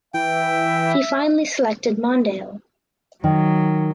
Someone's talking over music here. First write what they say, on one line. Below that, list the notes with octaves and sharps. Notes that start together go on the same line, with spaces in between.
He finally selected Mondale.
E3 E5 G5
D#3 F#3